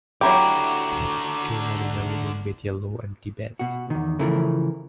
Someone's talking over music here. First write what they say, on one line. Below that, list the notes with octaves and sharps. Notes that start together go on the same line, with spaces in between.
Two men in a room with yellow empty beds.
D3 F#3 E4 F#4 G4 A#5 D6
B2 F#4
E2 D#3
C#3 E3 F3 A3 A#4